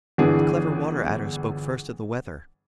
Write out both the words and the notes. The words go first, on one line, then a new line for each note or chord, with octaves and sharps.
The Clever Water-Adder spoke first of the weather.
G1 E3 B3 D4 G#4